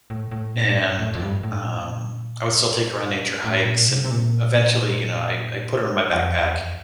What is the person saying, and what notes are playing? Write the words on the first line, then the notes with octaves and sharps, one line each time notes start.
and, um, I would still take her on nature hikes, and eventually, you know, I I put her in my backpack
A2
A2
A#2
A2
G2
A2
F2
G2
A2
A#2
A2
A#2
A2
A#2
C3
C3
A#2
F2
E2
F2